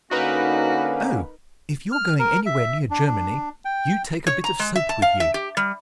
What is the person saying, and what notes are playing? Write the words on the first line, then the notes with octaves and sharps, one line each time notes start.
"Oh! if you're going anywhere near Germany, you take a bit of soap with you."
D3 A#3 C#4 D#4 F#4 A#4 B4
F6
A#4
E5
D4
D4
G5
C#5
A#5
G#3
E5
A5
F5
E5
G4
G3